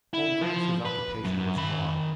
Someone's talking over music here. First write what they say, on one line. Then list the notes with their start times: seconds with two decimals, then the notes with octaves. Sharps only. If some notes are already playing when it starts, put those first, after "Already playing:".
Old Grannis's occupation was gone.
0.13 E4
0.42 F3
0.85 B4
1.24 F#2
1.57 D#3 B5